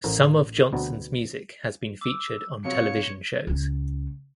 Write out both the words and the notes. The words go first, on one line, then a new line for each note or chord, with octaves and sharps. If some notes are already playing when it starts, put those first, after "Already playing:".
Some of Johnson's music has been featured on television shows.
A1 A2 A#4 C5
D2 B2 B3 C4 D4 A#5
D6 E6
C3 F#3 C#5 F5 C#7
C#2 C#4